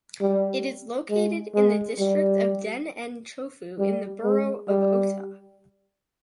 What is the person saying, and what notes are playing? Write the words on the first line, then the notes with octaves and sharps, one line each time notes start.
It is located in the district of Den-en-chōfu, in the borough of Ōta.
G3
G#3
G#3
G3
G3
G#3
G3